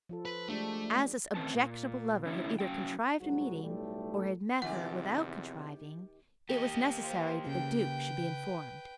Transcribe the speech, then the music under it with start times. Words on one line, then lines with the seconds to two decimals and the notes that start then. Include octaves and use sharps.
As this objectionable lover had either contrived a meeting, or had met her without contriving, it was necessary that the Duke should be informed.
0.09 F3 F4 A4
0.25 B4
0.48 G#3 A3 D4 G4
1.35 D#3 A3 C4 C#4 B4 A5
1.55 A#2
2.25 D3 C#4 E4
2.59 F#3 C#4 G5
3.21 C2 G#2 F#3 G#3 F#4
3.63 B1 A2 G3 A3
4.62 E2 C3 D#3 F3 G4 F#5
6.49 A#3 G4 D#5
7.02 F4 C5
7.47 C#3 B4 G5